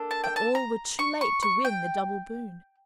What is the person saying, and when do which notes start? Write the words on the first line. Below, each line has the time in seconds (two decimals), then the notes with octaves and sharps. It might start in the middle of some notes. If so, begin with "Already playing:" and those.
But all were too late to win the double boon.
Already playing: A#3 D4 A4
0.11 A5
0.24 G5
0.36 A5
0.55 A#5
0.99 C#6
1.21 C#6
1.43 C#6
1.65 G5